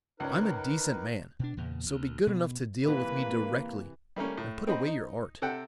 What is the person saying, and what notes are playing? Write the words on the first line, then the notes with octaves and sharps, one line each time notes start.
I'm a decent man, so be good enough to deal with me directly and put away your art.
C#2 C#4 D#4 A#4 B4
B2 D4
E2 A#2 C#3
D2
B2
C3 E3 A#3 B4
G3 A3 A#3 C#4
A2
C4 D#4 D#5 B5
D#4
C3 A4 F#5 G5